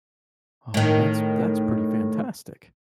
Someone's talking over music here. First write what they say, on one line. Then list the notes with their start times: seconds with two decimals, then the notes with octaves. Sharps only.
Oh, that's that's pretty fantastic.
0.74 A2 D#3